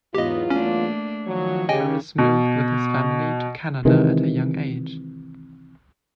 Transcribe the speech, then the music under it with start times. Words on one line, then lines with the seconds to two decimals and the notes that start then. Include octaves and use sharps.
Harris moved with his family to Canada at a young age.
0.14 E2 G#2 F#3 B3 D#4 F4 G4 D#5
0.50 A3 A#3 C#4 D4
1.27 D#3 F3 F#3 C#5
1.69 C#3 G4 D#5 G5 G#5
2.18 B2
3.85 C3 D#3 E3 G#3